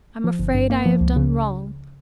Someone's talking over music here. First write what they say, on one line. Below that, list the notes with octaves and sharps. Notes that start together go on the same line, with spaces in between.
I'm afraid I have done wrong.
F3
G1
G2
A#3
F3
C#2
C#3